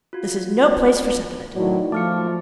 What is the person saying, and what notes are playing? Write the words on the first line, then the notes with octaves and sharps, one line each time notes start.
This is no place for sentiment.
F4 F#4
A2 D#3 F#3 D5
F3 A3 D6 F6 C#7